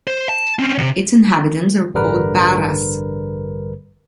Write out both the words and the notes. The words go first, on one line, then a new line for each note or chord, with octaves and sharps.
Its inhabitants are called "Barras".
C5
A5
C4 C#4
D#2 C3
A1 G2 D3 G3 A#4 B4